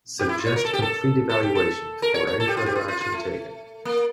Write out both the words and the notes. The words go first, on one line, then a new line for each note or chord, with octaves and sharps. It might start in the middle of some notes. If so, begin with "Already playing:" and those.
Suggest complete evaluation before any further action taken.
G4
E4
F4
C#5
A#4
A4
G4
A4
A4
G4
A4
A#4
C#5
C#5
A4
G4
F4
G4
F4
F4
F4
A3
A#3